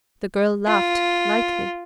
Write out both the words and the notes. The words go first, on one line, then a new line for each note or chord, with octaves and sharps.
The girl laughed, lightly.
F4